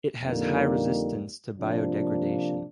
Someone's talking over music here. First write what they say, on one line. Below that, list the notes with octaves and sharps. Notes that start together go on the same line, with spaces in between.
It has high resistance to biodegradation.
F2 D3 G3 A#3 D#4
C3 F3 A#3 D4